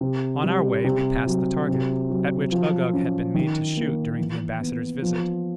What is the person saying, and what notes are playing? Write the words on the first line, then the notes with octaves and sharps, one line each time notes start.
On our way, we passed the target, at which Uggug had been made to shoot during the Ambassador's visit.
C3
G3
C3
F#3
C3
F#3
F3
C#4
D#3
A#3
E3
B3
F3